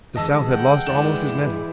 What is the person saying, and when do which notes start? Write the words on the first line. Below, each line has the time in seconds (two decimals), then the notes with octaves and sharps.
The South had lost almost as many.
0.16 D3 E3 G#3 D#5 A5 E6
0.48 F#5 G5
0.87 G2 E3 G#3 E4 G#4 D5 E7